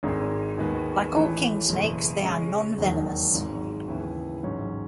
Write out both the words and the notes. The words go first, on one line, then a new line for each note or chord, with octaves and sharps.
Like all kingsnakes, they are nonvenomous.
G#1 G#2 D#3 G#3
D#2 D#3 G#3 B3
A1 A2 E3 A3
F#1 E2 B2
C#3 G#3 C#4
E1 D#2 D#3 F#3
G#1 G#2 F#3
D#2 C#3 E3 B3 E4
A1 G#2 F#3 C#4